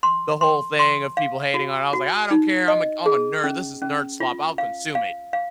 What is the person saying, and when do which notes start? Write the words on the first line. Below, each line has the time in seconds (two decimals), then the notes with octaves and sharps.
the whole thing of people hating on it, I was like, "I don't care! I'm a c I'm a nerd. This is nerd slop. I'll consume it."
0.03 C6
0.41 C6
0.79 C6
1.17 F5
1.54 F#4
1.93 F#4
2.31 D#4
2.68 D#5
3.06 G#4
3.44 C#4
3.82 C#4
4.20 F4
4.58 F5
4.95 F5
5.33 F5